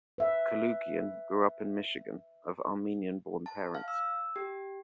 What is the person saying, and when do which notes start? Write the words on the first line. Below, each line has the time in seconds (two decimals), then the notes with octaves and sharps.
Kaloogian grew up in Michigan, of Armenian-born parents.
0.18 B4 E5
3.46 A5
3.75 F5
3.88 E6
4.36 G4